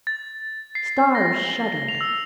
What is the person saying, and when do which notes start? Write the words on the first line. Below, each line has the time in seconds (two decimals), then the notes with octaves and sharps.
Stars shuddered.
0.07 A6
0.75 C7
1.15 A#6
1.39 G7
1.89 F7
2.01 E6